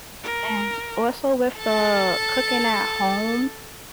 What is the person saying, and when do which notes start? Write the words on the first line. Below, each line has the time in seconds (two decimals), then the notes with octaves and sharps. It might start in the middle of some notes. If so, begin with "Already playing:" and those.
And also with the cooking at home,
0.23 A#4
1.60 A4 A5